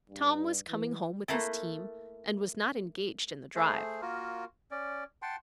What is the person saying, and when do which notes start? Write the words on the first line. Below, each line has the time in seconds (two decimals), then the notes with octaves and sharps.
Tom was coming home with his team and was not engaged in the drive.
0.10 G2
0.68 E3
1.28 A3 A#3 E4 A4
3.55 A3 G#4 C5
4.01 A#3 F4 F#4 A#4
4.71 C#4 D5
5.22 F#5 G5 A5 C6